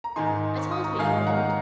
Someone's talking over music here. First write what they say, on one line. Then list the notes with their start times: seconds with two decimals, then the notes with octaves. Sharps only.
I told her you wouldn't.'
0.04 A#5
0.16 G#2 D#3 G#3 D#4 G#5 C6
0.58 C#6
0.72 D#6
0.84 A#5 C#6
0.99 G#2 D#3 G#3 D#4 F5 G#5
1.27 F#5 A#5